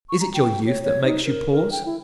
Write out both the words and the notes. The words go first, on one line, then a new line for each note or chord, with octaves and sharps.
Is it your youth that makes you pause?
C#6
A#5
G5
C#5
C#5
D#4
A#4
A#4
G5
E4